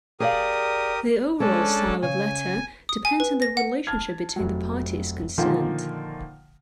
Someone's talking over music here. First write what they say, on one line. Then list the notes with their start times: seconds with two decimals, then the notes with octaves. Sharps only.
The overall style of letter depends on the relationship between the parties concerned.
0.20 G4 G#4 A#4 D5 F5 D#6
1.40 G#3 C#4 D4 A4
2.02 C#3 G#5
2.89 D#6
3.05 G#5
3.20 B4
3.42 A#6
3.57 F#5
3.87 A5 F6 G#6
4.36 F1 F#3
5.38 A#2 D3 D#3 F3 A#3